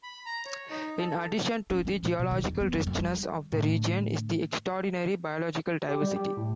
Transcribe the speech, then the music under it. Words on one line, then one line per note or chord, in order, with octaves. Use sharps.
In addition to the geological richness of the region is the extraordinary biological diversity.
B5
A#5
C#5
D#4
A4
C#4
E3
A#2
B2
D#3
E2
B3
F#2
F2
G3
A2 D3
G4
G3
G4
A2